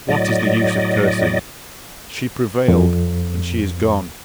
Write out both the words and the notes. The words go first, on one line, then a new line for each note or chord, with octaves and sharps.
"What is the use of cursing?--she prevailed, and she is gone."
A2 F#3 D5 D#5
F2